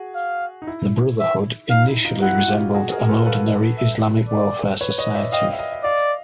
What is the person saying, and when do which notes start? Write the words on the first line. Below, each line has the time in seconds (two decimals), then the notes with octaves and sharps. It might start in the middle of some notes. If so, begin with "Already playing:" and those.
The Brotherhood initially resembled an ordinary Islamic welfare society.
Already playing: F#4 G#4
0.15 F5
0.62 D#4
0.67 E4
1.20 E5
1.70 D#4 F5
1.88 E4
2.05 D#4 F4
2.22 E4 F#4 F#5
2.48 F4 G4
2.74 F#4 G#4
2.92 G#4 A#4
3.03 A#4
3.09 A4 B4
3.26 A4 B4 F5
3.78 E5
4.29 D5
4.81 B4 C#5
4.98 C#5 D#5
5.15 D5 E5
5.32 D#5 F5 G5
5.53 E5
5.58 D#5 F5
5.72 E5
5.84 D5 D#5 F5